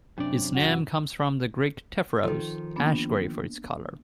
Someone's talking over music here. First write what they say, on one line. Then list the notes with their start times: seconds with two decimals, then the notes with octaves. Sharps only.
Its name comes from the Greek "tephros", "ash gray", for its color.
0.18 F#2 C3 D4 D5
0.55 F#4
2.24 D#3 F3 A4
2.76 A#3 B3 D4